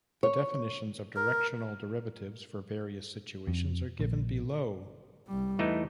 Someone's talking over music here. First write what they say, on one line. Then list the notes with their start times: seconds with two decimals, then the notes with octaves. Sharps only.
The definitions of directional derivatives for various situations are given below.
0.23 C#5
1.16 A#4
3.47 F2
3.99 A#1
5.27 C2 G3
5.59 E2 E3 A3 D#4